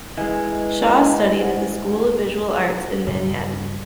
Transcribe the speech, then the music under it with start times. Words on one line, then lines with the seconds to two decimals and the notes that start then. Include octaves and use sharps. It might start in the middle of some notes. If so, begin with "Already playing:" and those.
Shaw studied at the School of Visual Arts in Manhattan.
0.18 E3 G#3 B4 D#5 G#5
1.39 C5 F#5
3.07 G2 C#3 G3